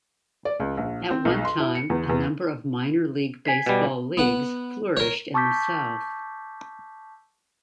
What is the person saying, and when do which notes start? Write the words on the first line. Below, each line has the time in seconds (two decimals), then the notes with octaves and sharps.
At one time a number of minor league baseball leagues flourished in the South.
0.45 D5
0.60 C#2
0.77 A#1
1.11 C4
1.25 B1
1.45 C6
1.60 E4
1.75 C#7
1.90 E2
2.09 E2
3.45 G#5 B6 C7
3.66 B2 G3
4.17 B3 F#5
4.97 A#4 C#5
5.34 A5 C#6 D6 E6 G6 B6